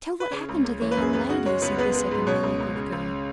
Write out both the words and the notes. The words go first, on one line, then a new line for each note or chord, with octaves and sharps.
"Tell what happened to the young lady!" said the second Melyukov girl.
B4
C#3 C#4 C#5
C#2
C#2
E3 C#5
B4
F#2
G#4
F#2 B3 B4
C#3 F#4 F#5
G#3 C#4 C#5
C#2 B3 B4
G#3 B3 B4
G#3
G#2
B2 C#4 C#5
C#2
C#2
C#3
C#2